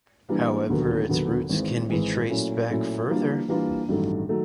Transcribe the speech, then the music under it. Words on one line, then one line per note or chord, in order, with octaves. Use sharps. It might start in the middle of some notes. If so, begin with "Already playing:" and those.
However, its roots can be traced back further.
E3 G3 A#3 D4
E1 D#2 D3 F#3 B3
E1 D#2 D3 F#3 B3
G#1 G#2 E3 G#3
G#1 G#2 E3 G#3
A#2 F#3 A3 C#4 E4
A#2 F#3 A3 C#4 E4
E3 G3 A#3 D4 F4
E3 G3 A#3 D4 F4
A1 G2 D#3 F#3 A3
D#3 F#3 A3